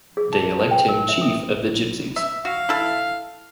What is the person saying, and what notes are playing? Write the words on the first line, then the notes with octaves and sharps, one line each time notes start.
They elect him chief of the Gypsies.
G#4
A5
B4
G5
A#4
E5
D#6
E5
F#4 F5
E4 A4